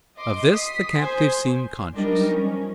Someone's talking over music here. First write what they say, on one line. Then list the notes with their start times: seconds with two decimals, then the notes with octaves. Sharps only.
Of this the captive seemed conscious.
0.16 D#5 C6 D6
0.51 D#6 B6 C7
0.92 C5 G#5 C6
1.94 F#3 G3 D4 D#4 A#4 D#5
2.29 F3 C#4